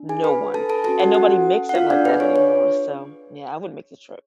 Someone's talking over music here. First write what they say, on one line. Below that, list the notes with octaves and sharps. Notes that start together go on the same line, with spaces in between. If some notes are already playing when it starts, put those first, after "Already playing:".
No one. And nobody makes it like that anymore, so, yeah, I wouldn't make the trip.
Already playing: D4
G#4 G#5
B4 B5
A4 A5
A4 A5
C#4 F#4 A4 A5
F#4 F#5
F#4 F#5
F#5
F4 F5
D4 D5
D4 G#4 B4
C#5
C#5